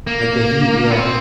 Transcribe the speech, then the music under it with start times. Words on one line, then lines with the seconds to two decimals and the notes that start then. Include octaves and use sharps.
Like the heat, yeah.
0.07 A#3
0.91 B3
0.98 C4